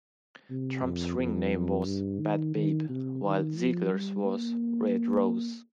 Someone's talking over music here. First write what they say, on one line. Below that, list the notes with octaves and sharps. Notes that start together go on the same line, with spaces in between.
Trump's ring name was "Bad Babe" while Ziegler's was "Red Rose".
C3
F2
F2
G2
D#3
D#3
C3
D#3
F3
G3
A#3